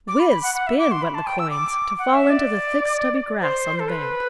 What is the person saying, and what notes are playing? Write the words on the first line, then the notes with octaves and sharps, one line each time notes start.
Whiz--spin--went the coins, to fall into the thick stubby grass on the bank.
D6
B5
B5
F#5
F#5
E5
D6
C6
B5
A5
G5
E6
D6
F#5
E5
D5
C5
A4
B4